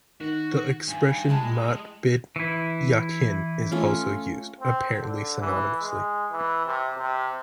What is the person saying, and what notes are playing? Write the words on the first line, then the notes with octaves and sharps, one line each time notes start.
The expression "mat Bit Yakin" is also used, apparently synonymously.
D#3 F#4
G2 G#5
G3 G#3 E4 A5
E3 E4
A3 C#4 F4
C4
D3
E3
G#3
E3
C3
C3